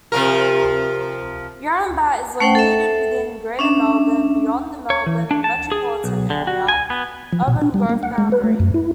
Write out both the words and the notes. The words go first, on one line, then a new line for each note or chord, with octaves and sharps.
Yarrambat is located within Greater Melbourne, beyond the Melbourne metropolitan area Urban Growth Boundary.
C3 F3 A#4
A3 C#4 C5 F#5 G5
A4 E5
C#4 D4 E5
C#5
E3
D4
A5
G#4
B1
D3
F#4
G#5
B3
F3
B2
D4
G3
A#3
F#5
G#3
B4
A3
F#2
E4